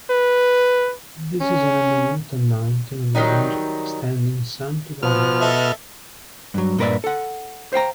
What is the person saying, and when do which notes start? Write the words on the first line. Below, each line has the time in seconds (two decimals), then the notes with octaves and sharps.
This is an underwater mountain range extending some to the north.
0.10 B4
1.41 C#4
3.15 D#3 F#3 G3 D#4
5.03 B2 F3 F6
5.41 A4 D#5 E5
6.54 G2 F#3
6.78 G2 A#2 A#4 B4 D5 E5
7.04 A4 F#5
7.73 C5 F5 G5 A#5